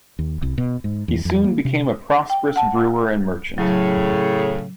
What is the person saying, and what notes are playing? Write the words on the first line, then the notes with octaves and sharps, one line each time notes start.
He soon became a prosperous brewer and merchant.
D#2
C2
B2
G#2
E2
F2
A#3
C3
G5
F#5 A5
A2 C#3 F#3